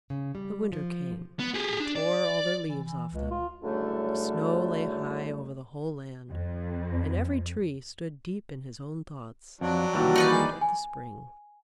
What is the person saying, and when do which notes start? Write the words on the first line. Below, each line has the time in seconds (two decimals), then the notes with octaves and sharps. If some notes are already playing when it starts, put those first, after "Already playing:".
The winter came and tore all their leaves off them, the snow lay high over the whole land, and every Tree stood deep in his own thoughts and dreamt of the spring.
0.10 C#3
0.35 G3
0.73 F3
1.39 B3
1.54 G4 G#4
1.80 D4
1.95 D5
2.68 E3
2.84 E3
3.12 C#2
3.31 F4
3.62 C#2 F#2 A2 D3 G3 A3
6.30 F2
9.61 F2 F#3 D4
9.93 D#2 E3 G3 F#4
10.16 D#4 B4 D5
10.31 A#3 G#4
10.61 G#5